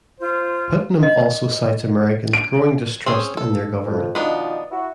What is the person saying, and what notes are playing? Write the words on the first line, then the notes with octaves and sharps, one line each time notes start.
Putnam also cites Americans' growing distrust in their government.
F4 C5
D#5
D7
C4 C#4 G#4
A4
F2
B2 D#3 F3 B3 D4 D#4
E4 F#4